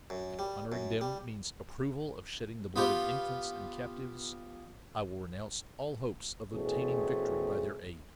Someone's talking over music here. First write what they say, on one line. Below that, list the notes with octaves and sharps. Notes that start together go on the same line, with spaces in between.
"If honouring them means approval of shedding the blood of infants and captives, I will renounce all hopes of obtaining victory by their aid."
F#2
G3
F#2
G3
B3 F4 G4
B2 E3 A3 C4 C#4 G#4